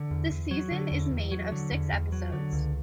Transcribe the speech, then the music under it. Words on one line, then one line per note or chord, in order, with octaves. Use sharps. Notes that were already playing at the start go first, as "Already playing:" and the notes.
The season is made of six episodes.
Already playing: D3
E2
E2
F#3
D3
E2
E2
F#3
D3
E2
E2
F#3
D3
C#2